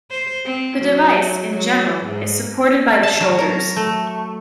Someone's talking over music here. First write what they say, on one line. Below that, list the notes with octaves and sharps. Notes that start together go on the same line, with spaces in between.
The device, in general, is supported by the shoulders.
C5
C4
F#3
F#3
G#2
A5
F#3
A#4
A3